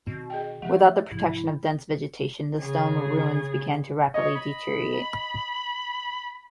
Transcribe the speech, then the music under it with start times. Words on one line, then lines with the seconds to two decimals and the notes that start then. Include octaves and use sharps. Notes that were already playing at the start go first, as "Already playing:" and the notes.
Without the protection of dense vegetation, the stone ruins began to rapidly deteriorate.
0.07 B2 D#3 C4
0.30 G#4 D#5 G5
0.62 F3 A3 G4 F#5
1.11 G#2 C3 F3 E4
2.60 C#3 G#4
4.14 C#5 D#5
4.35 B5